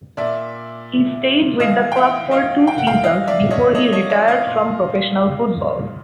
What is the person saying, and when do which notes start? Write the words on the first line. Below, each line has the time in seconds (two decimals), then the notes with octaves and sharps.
He stayed with the club for two seasons before he retired from professional football.
0.17 A#2 D5 E5
1.60 A2 E3 D#5 F5
1.92 G5
1.96 E5 F#5
2.31 D#5 F5
2.67 G5
2.78 F#5
2.87 F5 G5
3.03 A2 E3 D#5 F5
3.27 D5 E5
3.51 C#5 D#5
3.75 C#5 D#5
3.93 C#5 D#5
4.10 D5 E5
4.28 D#5 F5
4.47 A#2